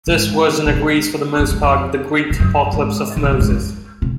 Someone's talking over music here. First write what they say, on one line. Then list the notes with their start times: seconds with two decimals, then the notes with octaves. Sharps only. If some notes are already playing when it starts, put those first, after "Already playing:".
This version agrees for the most part with the Greek Apocalypse of Moses.
0.07 G#2
0.66 A#2
0.73 G#2
1.40 G#2
1.51 F#2
1.63 F2
2.30 G#2
2.40 F#2
2.73 G#2
3.17 C3
3.24 A#2
3.32 G#2
3.40 F#2
3.50 F2
4.02 C3